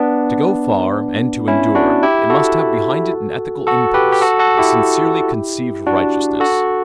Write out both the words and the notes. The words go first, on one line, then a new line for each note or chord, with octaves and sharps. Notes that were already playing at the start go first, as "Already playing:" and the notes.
To go far and to endure, it must have behind it an ethical impulse, a sincerely conceived righteousness.
Already playing: B3 D4
C#4 E4
D4 F#4
E4 G4
F#4 A4
F#4 A4
G4 B4
G4
F#4 A4
F#4 A4
E4 G4
D4 F#4
F#4 A4